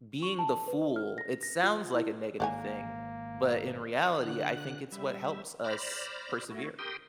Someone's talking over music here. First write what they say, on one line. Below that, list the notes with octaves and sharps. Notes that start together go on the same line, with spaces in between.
being the fool, it sounds like a negative thing, but in reality I think it's what helps us persevere.
C#6
A5
B4
F6
A#6
A#6
F4
E4
G#1 A#3 D5 F#5 G#5
D3 F#6
G3 E5
C5 D5 B5 F6 A#6
A3 E4 F#4
G4 A#4 G5 C6 D#6